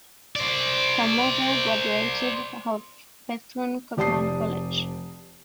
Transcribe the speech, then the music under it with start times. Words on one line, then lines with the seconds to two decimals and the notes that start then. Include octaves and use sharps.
Her mother graduated of Bethune-Cookman College.
0.36 C5 D5
3.97 F1 G4 D5 A5 D#6 C7